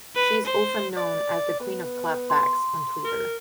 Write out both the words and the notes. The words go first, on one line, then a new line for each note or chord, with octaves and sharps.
She is often known as the "Queen of Clap Backs" on Twitter.
B4
C5
D5
B3
C6
A#4